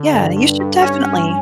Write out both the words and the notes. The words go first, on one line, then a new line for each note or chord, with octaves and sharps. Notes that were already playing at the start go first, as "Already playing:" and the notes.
yeah, you should definitely.
Already playing: D3
G2
G2
G2
C#4
C#4